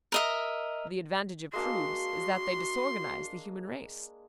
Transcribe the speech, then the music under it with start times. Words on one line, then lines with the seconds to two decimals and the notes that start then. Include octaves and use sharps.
The advantage of prudes is that they disorganize the human race.
0.12 A#4 D#5 E5
1.53 G#3 A#3 D4 F#4 C6